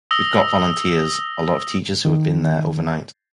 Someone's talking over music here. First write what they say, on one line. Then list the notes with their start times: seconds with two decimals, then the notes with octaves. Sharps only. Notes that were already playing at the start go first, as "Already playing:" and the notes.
We’ve got volunteers, a lot of teachers who have been there overnight.
0.11 D#6 E6 A#6 G7
2.05 D#3